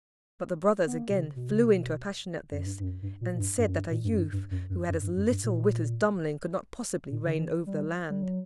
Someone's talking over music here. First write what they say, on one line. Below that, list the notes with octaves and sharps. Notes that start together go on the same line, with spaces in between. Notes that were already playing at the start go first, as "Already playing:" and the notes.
But the brothers again flew into a passion at this, and said that a youth who had as little wit as Dummling could not possibly reign over the land.
B3
A#3
B2
C#3
B2
C#3
B2
F#2
G2
G2
F#2
G2
A#2
A#2
G2
G2
F#2
G2
A#2
G2
F#2
G2
G2
F#2
F#2
F#2
G2
F#2
G2
A#2
A#2
D3
E3
G3
G3
F#3